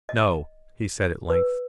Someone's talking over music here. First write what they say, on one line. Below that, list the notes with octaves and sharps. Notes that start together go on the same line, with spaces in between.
"No," he said at length.
D#5
B4